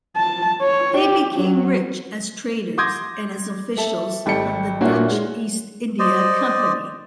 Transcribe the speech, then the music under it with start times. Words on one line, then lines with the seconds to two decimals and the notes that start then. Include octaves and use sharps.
They became rich as traders and as officials of the Dutch East India Company.
0.16 A5
0.62 C#5
0.98 G4
1.35 F#3
2.78 C6 D6 D#6 G6 G#6 A#6
3.77 A4 E5
4.26 G#1 G3 A4 G5 C#7
4.81 A#2 A#3 C#4 D4 E4 F#4
5.10 G#3
5.99 C5 D5 D#5